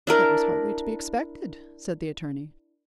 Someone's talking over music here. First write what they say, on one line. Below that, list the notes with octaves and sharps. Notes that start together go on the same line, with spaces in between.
"That was hardly to be expected," said the attorney.
D4 E4 A#4